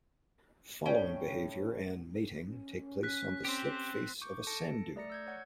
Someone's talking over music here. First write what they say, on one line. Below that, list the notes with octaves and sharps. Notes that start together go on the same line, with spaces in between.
Following behavior and mating take place on the slip face of a sand dune.
A2 C#4 G5
C#4
F#6 B6
C4 G4 C5
C#6 D6 G6
A4 A5 A#6 C#7 D7
A3 D5 A#5 A#6 C#7
E6 G6 G#6
C#5 F#5 G#6